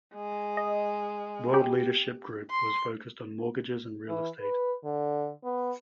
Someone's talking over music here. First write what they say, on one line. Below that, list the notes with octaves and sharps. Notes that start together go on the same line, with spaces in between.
World Leadership Group was focused on mortgages and real estate.
G#3
D#5
G4
C6
E3
B4
D3
B3